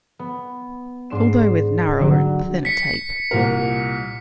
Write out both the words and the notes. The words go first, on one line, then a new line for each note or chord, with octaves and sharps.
Although with narrower and thinner tape.
B3
G#2 D4 C6 C7 E7
D3 F#3
B6 C#7
C2 A#2 A#4